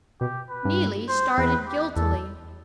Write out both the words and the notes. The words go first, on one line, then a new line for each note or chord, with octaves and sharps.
Neelie started guiltily.
B2 G4
B4
G2
C5
E2 B4
G4
E2 A4